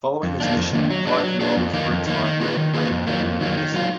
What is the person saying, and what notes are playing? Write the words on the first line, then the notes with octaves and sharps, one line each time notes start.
Following his mission, Clark enrolled for a time at Brigham Young University.
F2
D#3 A#3 D4
F2
D#3 A#3 D4
F#3
D4 G#4 B4
F#3
D4 G#4 B4
F2
D#3 A#3
F2
D#3 A#3
D#3
A#3 F4 G#4 B4
D#3
A#3 F4 G#4 B4
F2
D#3 F#3 A#3
F2
D#3 F#3 A#3
D#3
F#3 A#3 F4